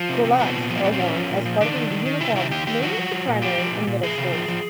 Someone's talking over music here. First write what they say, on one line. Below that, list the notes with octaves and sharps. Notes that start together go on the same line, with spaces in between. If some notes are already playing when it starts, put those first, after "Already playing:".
Culottes are worn as part of a uniform mainly to primary and middle schools.
Already playing: F3
C3
C3
F3 B3
A#2
F3
A#3
A#2 B3
C4
F3 C#4
F3
A#2
F3
D#3 D4
D#3
D#3
D#3
C3 E4
D#3 E4
D#3 G4
D#3 G4
F3 F#4
F3
F3
A#2
F3 G4
F3
A#2
A#2
F3 G#4
C3
F3
F3